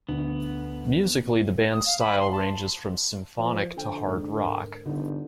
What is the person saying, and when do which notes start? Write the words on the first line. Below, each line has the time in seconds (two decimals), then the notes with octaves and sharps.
Musically the band's style ranges from symphonic to hard rock.
0.09 D2 B3
1.72 D#6
1.86 F5
2.00 B5
2.20 C6
2.32 A5
3.39 F3
3.77 D3 A4 C5 G5
4.07 G#2
4.37 A#4
4.85 G1 D3 B3 D#4